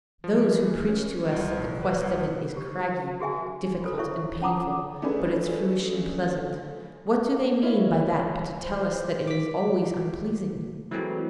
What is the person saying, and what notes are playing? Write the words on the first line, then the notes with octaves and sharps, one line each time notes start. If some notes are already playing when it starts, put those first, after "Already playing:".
Those who preach to us that the quest of it is craggy, difficult, and painful, but its fruition pleasant, what do they mean by that but to tell us that it is always unpleasing?
F3
E3
C#4
C2
A#1
B4
C2
G4 C5
F#4 G#4 E5 G#5
F4 A4
E4 A4 C5 C#5 E5 C#6
C#4 F#5 A5 A#5 D6 D#6
A3 C#4 D4 G#4 B4
E4 F4 C#5 D#5
C5
D6 B6
E3 F#3 G#3 A3 C4 E4